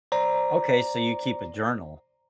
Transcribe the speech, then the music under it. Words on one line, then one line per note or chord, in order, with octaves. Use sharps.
Okay, so you keep a journal.
C5 D5 A#5